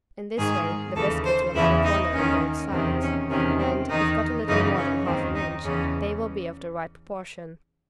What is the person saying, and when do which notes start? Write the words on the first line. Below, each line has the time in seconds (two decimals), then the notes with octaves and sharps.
In this way the biscuits will have a corner on both sides and, if cut a little more than half an inch, they will be of the right proportion.
0.37 G#2 D#3 G#4
0.95 D#2 C#3 E3 A4
1.24 C5
1.54 E2 C#3 E3 E4
1.83 D#4
2.13 D#2 D#3 C#4
2.71 E2 C3 D#3 C4
3.01 C#4
3.29 E2 C3 D#3 C#4
3.59 C4
3.89 E2 D#3 D#4
4.47 F#2 C#3 E3 D#4
4.76 C#4
5.05 D#2 D#3 C4
5.34 D#4
5.63 E2 C#3 E3 C#4